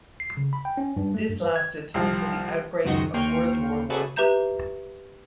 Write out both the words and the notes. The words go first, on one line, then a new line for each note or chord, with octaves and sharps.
This lasted until the outbreak of World War One.
C7
C#3
B5
G5
C#4
G2
A3
G2
B4
G#6
C2 F3
C#2 F#2 D#3 F#4 D#5 C6
D#2 A#3 G5 C6 C#6 F6
F#4 G#4 A4 B4 D5 E5
G4 B4 E5 A#5 G6 E7